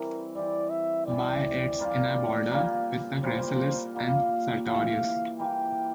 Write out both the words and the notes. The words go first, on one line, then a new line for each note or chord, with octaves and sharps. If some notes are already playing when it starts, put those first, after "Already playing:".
By its inner border with the gracilis and sartorius.
Already playing: E3 G3 C4 A#4
E3 G3 C4 D5
E5
E3 G3 C4 D5
A#2 G3 A#3 F4
A#2 G3 A#3 F4
A#2 G3 A#3 F4 C5
A#2 G3 A#3 F4 F5
E3 G3 A#3 F5
E3 G3 A#3 G5